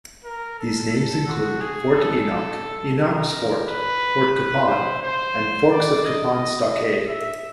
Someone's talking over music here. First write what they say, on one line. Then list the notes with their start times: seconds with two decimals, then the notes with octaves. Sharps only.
These names include: Fort Enoch, Enoch's Fort, Fort Capon, and Forks of Capon Stockade.
0.25 A#4
0.59 A4
0.92 A4
1.27 F#4
1.61 G#4
1.95 A4
2.97 A#4
3.66 B4
4.35 B4
4.68 C5
5.02 C5
5.71 D5
6.05 D#5
7.07 E5